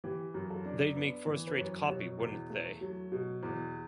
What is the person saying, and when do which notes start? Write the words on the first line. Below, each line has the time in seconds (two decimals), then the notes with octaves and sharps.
They'd make first-rate copy, wouldn't they?
0.04 E3 G4
0.34 F#2
0.50 A4
0.65 D4
0.96 B3
1.27 E3
1.47 B4
1.58 F#2 C#5
1.89 B2 C#5
2.20 E2
2.50 A3
2.81 F#3
3.12 B2
3.43 E2